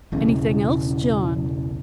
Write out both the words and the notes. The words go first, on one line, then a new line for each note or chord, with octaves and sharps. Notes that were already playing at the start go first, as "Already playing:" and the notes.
"Anything else, John?"
B1 E2 C#3